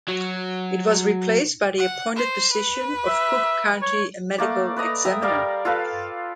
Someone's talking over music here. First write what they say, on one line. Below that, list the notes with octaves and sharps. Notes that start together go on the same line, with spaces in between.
It was replaced by the appointed position of Cook County Medical Examiner.
F#3
F#5
C5
B4
E5
C#5
A3 A#3 D5
B4 D5 D#5 A#5
E5 G5 A#5 D#6
G3 A#4 D5 F5
F4 A4 B4 F5